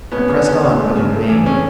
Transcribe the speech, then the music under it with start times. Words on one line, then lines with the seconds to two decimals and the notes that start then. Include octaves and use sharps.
I pressed on, but in vain.
0.12 B3 C#4
0.28 C#3
0.45 C#4
0.62 C#3
0.79 A3
0.96 C#3
1.12 A3
1.30 E3
1.46 E3 C#4